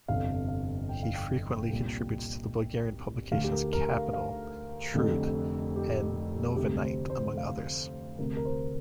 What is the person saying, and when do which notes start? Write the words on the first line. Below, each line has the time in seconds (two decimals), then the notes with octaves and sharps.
He frequently contributes to the Bulgarian publications "Capital", "Trud" and "Novinite", among others.
0.08 G1 F2 C3 F5
0.48 F5
0.89 G5
1.03 F5
1.15 G5
1.70 C2 A#2
3.32 D2 D3 F5
3.44 G4
3.52 A#4
3.73 A#4
3.93 F5
4.13 F5
4.94 F1 F2 D3
5.76 G4
6.56 D2 C3 G4
6.84 C5
7.10 C5
7.37 F5
8.19 D2 C3 A#4
8.37 A#4
8.45 C5